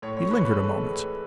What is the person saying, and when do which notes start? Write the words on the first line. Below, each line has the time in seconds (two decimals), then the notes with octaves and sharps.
He lingered a moment.
0.02 A2 C#5
0.17 C#5
0.31 E3 B4
0.45 B4
0.59 G#3 A4
0.88 A2